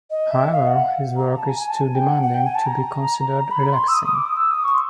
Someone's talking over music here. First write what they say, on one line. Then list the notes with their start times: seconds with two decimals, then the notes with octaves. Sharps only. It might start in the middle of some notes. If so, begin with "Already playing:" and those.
However, his work is "too demanding" to be "considered relaxing".
0.10 D#5
0.30 E5
0.52 F5
0.66 F#5
1.16 A#5
1.38 A5
1.48 G#5
1.59 G#5
1.70 A5
1.80 G#5
1.95 G5
2.08 F#5
2.23 F#5
2.34 G5
2.45 G#5
2.55 A5
2.66 A#5
3.51 B5
3.73 C6
3.88 E6
3.93 D#6
4.04 D#6
4.15 D6
4.25 D#6
4.36 E6
4.51 D#6
4.64 C#6
4.74 C6